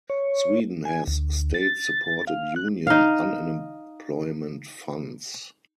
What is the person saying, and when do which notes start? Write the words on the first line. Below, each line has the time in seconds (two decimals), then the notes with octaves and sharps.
Sweden has state-supported union unemployment funds.
0.10 C#5
0.85 G#5
1.07 D2
1.54 A6
2.27 F5
2.56 F#6
2.87 D#4 F5